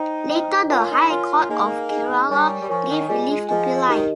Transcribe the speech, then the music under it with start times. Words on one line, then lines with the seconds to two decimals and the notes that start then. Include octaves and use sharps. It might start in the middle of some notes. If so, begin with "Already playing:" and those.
Later the High Court of Kerala gave relief to Pillai.
Already playing: D#4 C5 D#5 G5 A#5
0.30 C5 D#5 G5 A#5
0.70 F4 A#4 C#5 G#5 C6
0.90 D#4
1.09 F4 A#4 C#5 G#5 C6
1.49 A#3 D#4 G#4 D#5 G#5
1.89 D#4 G#4 D#5 G#5
2.29 G3 A#4 C#5 G#5 C#6
2.61 G3
2.69 F3 A#4 C#5 G#5 C#6
2.88 D#3
3.08 G3 F4 G#4 D#5 G#5
3.29 G#3
3.49 F3 F4 G#4 D#5 G#5
3.89 D#3 D#4 G4 A#4 D#5